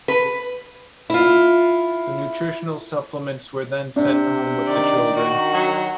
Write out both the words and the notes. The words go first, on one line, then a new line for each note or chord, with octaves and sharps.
The nutritional supplements were then sent home with the children.
B4
E4 F4
C3 D4
D#3 D5
F#4
F#3